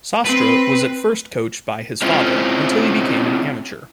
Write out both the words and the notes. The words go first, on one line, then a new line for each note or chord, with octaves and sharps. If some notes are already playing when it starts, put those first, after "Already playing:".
Sastre was at first coached by his father, until he became an amateur.
C4 B4
G#3 C4 C#4 E4 F4 C5